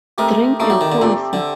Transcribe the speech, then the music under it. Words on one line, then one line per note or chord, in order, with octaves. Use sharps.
Drink your coffee.
A3 C4 G4 A#4 D#5
A3 A#3 D#4 G4 D5
F#3
D#3
D3
A#2 C4 G4 D5
D3